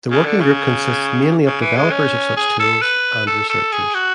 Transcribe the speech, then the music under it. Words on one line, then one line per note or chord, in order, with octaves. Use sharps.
The working group consists mainly of developers of such tools and researchers.
C#3
D3
C#3
C#3
E3
G#3
C#4
G#4
A4
B4
A4
A4
G#4
F#4